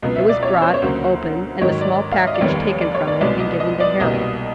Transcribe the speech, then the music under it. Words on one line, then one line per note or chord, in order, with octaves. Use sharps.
It was brought, opened, and a small package taken from it and given to Harold.
C#2 B2 F#3 B3
E5
D5
C#5
C5
C#5
D2 C#3 F#3 A#3 C5
G#2 D#3 F#3 C#5
D5
F5
E5
D#5
D5
F1 D#2 D#3 G3 B3 C#5
D5
C#5
D5
C2 B2 G#3 B3 D5
D#5
D#5
D5
C2 B2 G3 A#3 D#5